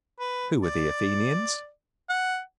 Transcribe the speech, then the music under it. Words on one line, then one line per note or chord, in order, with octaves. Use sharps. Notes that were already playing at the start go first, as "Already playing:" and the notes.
Who were the Athenians?
B4
D5
F#5